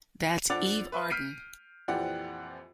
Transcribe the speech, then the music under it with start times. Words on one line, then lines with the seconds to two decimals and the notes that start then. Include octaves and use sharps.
That's Eve Arden.
0.50 F2 D4 F#5 D6 A6 F7
0.92 B4 E5
1.10 F6 G6 B6 C7 D7 D#7
1.88 A#1 F2 E3 G4 D5 F#5